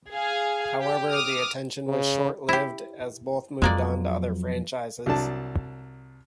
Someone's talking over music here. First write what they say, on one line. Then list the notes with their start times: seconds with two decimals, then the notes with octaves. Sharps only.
However, the attention was short lived, as both moved on to other franchises.
0.11 G#4 F5 G#5
0.80 G4 G5
1.11 D6 D#6 F6
1.89 C#3
2.49 E4 G4
3.62 F2 F#3 G#3 A#3 D5
5.06 C2 F#3 D4 A5